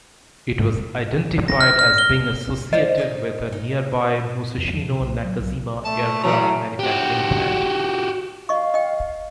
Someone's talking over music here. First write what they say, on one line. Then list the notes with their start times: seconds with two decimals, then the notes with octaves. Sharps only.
It was identified as being associated with a nearby Musashino-Nakajima aircraft manufacturing plant.
1.48 A#6
1.61 F6
1.79 F6
1.98 G7
2.73 C5 D5 D#5 F5
2.98 D#4 C#5 E5
3.52 D#4
4.57 F2
4.74 F3
4.86 B2
5.00 B1
5.25 F#3
5.39 B1
5.85 A3 A5
6.24 C#3 E3 F#3 F#4 A#5
6.79 F#4 G4
8.49 D#5 F5 C#6
8.74 D#5 G5